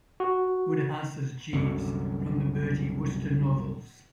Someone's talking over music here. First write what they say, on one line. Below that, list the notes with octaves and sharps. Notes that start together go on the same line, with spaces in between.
Wodehouse's Jeeves from the Bertie Wooster novels.
F#4
C2 F#2 D3 F#3